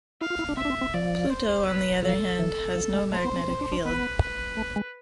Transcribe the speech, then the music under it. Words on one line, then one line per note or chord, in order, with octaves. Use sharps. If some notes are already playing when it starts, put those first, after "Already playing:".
Pluto, on the other hand, has no magnetic field.
E4 F5
F4
E4
D4
C4 E5
D4
C4
C4
F3 D5
C5
B4
F3 A4
E3
F3
G#3
A3 C5
B3
C4
C4
D4
D4
B3 B4
B4
A3
G#3